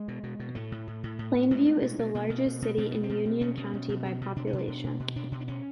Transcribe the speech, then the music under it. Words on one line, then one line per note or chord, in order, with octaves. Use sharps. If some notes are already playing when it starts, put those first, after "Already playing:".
Plainview is the largest city in Union County by population.
Already playing: G#3
B2
B2
B2
A2 A3
A2
A2
A2
A2
A2
A2 G#3
A2
B2
B2
B2 A#3
B2
B2
B2
B2 C4
B2 B3
C4
B2
B2
B2 C#4
B2
B2
B2
B2
B2
B2 D4
C#4
B2
D4
B2
B2
B2
B2 D4
B2 C#4
D4
B2 C#4